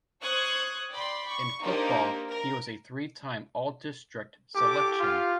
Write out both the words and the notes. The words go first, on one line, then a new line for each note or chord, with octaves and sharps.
In football, he was a three-time All-District selection.
C5 C#6 D#6 F#6 G#6
D5 G5 B5 C6
C#6
A#3 D4 D#4 G4 A#4 C5
A#4
G4 A4 D6
F4